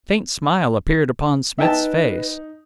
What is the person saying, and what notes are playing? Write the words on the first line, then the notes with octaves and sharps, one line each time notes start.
A faint smile appeared upon Smith's face.
D#4 B4 E5 G5 A5